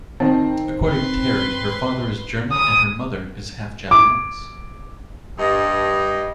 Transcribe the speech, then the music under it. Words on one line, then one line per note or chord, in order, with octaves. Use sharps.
According to Teri, her father is German and her mother is half-Japanese.
D#3 C4 A5
B4 C6
D#6
D6
G2 D#5